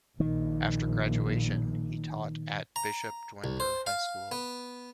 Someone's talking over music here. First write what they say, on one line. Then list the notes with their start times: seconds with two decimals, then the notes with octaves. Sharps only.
After graduation, he taught at Bishop Dwenger High School.
0.20 A#1 A#2 D#3
2.76 A#5
3.44 C2
3.60 C5
3.87 F5
4.32 B3